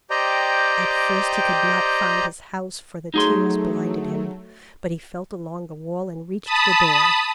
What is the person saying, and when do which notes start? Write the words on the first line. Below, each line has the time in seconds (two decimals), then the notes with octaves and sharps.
At first he could not find his house, for the tears blinded him, but he felt along the wall and reached the door.
0.10 G4 C5 D5 D#5 G5 A#5
3.14 F#3 A3 D#4 G#4 C6
6.44 A5 B5 D#6